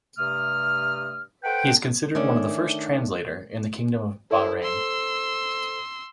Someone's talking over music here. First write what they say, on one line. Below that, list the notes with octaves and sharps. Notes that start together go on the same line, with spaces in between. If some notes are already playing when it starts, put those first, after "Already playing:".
He is considered one of the first translator in the Kingdom of Bahrain.
G2 C3 A3 D#6 F6
A4 B4 C5 F#5 G5
D#3 A3 C#4 D4
E4 A4 C5
C6 E6